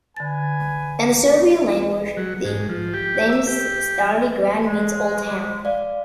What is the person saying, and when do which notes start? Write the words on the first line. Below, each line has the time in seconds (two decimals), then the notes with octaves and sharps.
In the Serbian language, the name "Stari Grad" means "Old Town".
0.16 D3 B4 G#5 A6
2.17 F#3
2.45 G#2
2.69 F3
2.94 G4
3.29 E5
3.47 G4
4.63 G#3
5.65 D5 F5